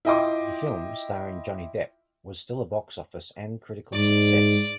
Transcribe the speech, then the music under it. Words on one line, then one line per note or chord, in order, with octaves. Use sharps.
The film, starring Johnny Depp, was still a box office and critical success.
E4 F4 D#5 G5 C6 D6
G#2 D5